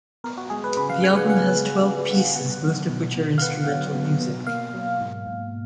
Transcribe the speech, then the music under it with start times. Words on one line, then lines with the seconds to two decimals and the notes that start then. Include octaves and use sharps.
The album has twelve pieces, most of which are instrumental music.
0.24 B3 A#4
0.38 F#4
0.50 G#3 G#4
0.64 B4
0.77 C#3 B4
0.90 F5
1.03 C#3 G#5
1.17 F#5
1.29 B3 F#5
1.56 G#3
1.82 C#3
2.09 C#3
2.36 B3 F#5
2.61 F#3
2.89 B2
3.16 B2
3.38 F5
3.42 B3 F#5
3.68 F#3
3.94 B2
4.20 B2
4.47 A#3 F5
4.74 F#3
5.01 G#2
5.26 G#2